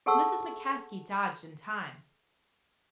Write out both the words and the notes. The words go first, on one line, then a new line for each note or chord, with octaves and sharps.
Mrs. McCaskey dodged in time.
G#4 A4 F#5 A5 C#6 E6